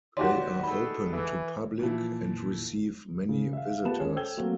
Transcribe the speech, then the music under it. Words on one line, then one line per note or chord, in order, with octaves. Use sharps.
They are open to public and receive many visitors.
D#2 F#4 G4 C#5 D5 C6
G#3 A3 B5
E3
A#2 E3 F3 E4
C#3
E5 F5
B3 F4 G4 A5 E7
G#3 C#4 C#5
A4 C5 G5 E6 G#6 G7
F#3 A3 A#3 C4